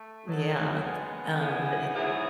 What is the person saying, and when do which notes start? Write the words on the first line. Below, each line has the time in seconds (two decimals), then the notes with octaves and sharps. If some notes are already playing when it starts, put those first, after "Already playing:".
Yeah, th um, but he
Already playing: A3
0.26 D#3 F#3 B3 D#4 A4
0.82 C#3 G#3 B3
1.38 C#3 E3 B3 E4 G#4
1.94 G#2 F#3 B3 E4 G#4